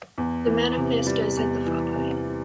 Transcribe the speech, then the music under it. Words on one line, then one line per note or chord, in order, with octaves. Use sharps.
The manifesto said the following.
E2
E3
C3
G3
E2
E3
C3
G3